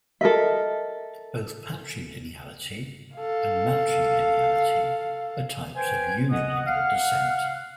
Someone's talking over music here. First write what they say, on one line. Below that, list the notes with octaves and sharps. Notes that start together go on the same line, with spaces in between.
Both patrilineality and matrilineality are types of unilineal descent.
A4 A#4 D#5 E5
A4 F5
B4 C5 G5 G#5
D#5 F#5 D#6
F5 F#5 F6